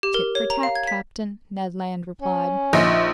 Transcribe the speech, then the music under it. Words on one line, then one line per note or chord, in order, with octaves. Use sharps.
"Tit for tat, captain," Ned Land replied.
G4
A#4
C#5
A#5
F5
G#6
B6
C#4
A#1 D#4 F4